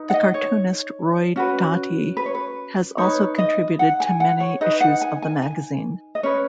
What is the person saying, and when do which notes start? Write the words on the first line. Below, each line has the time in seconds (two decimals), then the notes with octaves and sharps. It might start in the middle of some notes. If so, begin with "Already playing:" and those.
The cartoonist Roy Doty has also contributed to many issues of the magazine.
Already playing: D#4 B4
0.10 F#5
0.14 D#5
0.34 C#5
1.36 C#4 F#4 B4
2.17 B4
2.26 C#5
2.35 B4
2.98 D#4 B4 C#5
3.38 D#5
3.79 F#5
4.00 G#5
4.20 F#5
4.40 C#5
4.61 D#4 B4 D#5
4.81 F#5
5.01 G#5
5.22 G#5
5.42 G#5
6.15 D#5
6.23 C#4 B4 C#5